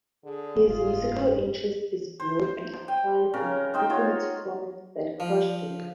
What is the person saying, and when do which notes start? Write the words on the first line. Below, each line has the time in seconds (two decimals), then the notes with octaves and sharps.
His musical interest is broad and applies in particular to formats that cross genres.
0.24 D3 G#4
0.67 F#1 G#2 F4
2.20 C5
2.88 G5
3.34 C#3 C#4 A#4
3.74 D#4 C5 D#5 G5
3.90 F4 F#4 C#5
5.20 F3